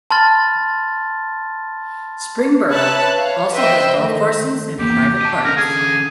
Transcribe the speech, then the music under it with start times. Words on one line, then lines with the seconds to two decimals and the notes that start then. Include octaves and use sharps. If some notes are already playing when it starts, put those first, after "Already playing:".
Springboro also has golf courses and private parks.
0.11 A5 B5 C6 F6 A6
2.69 B4 C#5 E5 A5 F#6
3.17 C#5 F5
3.51 B4 C5 D#5 E5 G5
3.96 D#3 A3
4.80 E2 A#3 G4
5.21 D#5 A5
5.45 D3 C#4 A#4
5.57 G#4